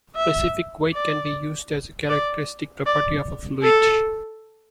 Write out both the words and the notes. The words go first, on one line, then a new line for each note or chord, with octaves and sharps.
Specific weight can be used as a characteristic property of a fluid.
E5
D5
D5
D5
A4